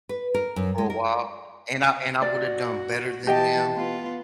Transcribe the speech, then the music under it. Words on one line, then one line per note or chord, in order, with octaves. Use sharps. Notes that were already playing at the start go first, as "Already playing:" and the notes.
for a while, and I and I would've done better than them
B4
A#4
F#2
G#3
A#4
F#4 D5
E3 G4 D#5 G5 A5
B3 F4